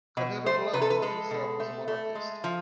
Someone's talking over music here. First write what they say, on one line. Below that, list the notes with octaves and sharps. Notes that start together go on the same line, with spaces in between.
Carrero Blanco himself was a monarchist.
B2
A3 C5
C3 B4
A4
B4
G#3 A4
B2
A3
A3
G#3
F3